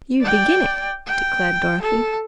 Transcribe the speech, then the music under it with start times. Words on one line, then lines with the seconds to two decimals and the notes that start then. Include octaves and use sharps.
"You began it," declared Dorothy.
0.21 D5 G5
1.07 G5
1.82 A4